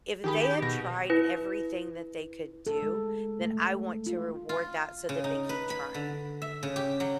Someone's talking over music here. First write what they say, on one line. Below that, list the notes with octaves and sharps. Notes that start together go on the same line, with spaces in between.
if they have tried everything that they could do, then I want to reward that so that they keep trying.
D#3 G4 G#4 B5
B2 A#6
E4 B4
A4
G#3
A3
F4
F4
C#3
D#4
B4
B5
D3
E5
C#3
G4
F#3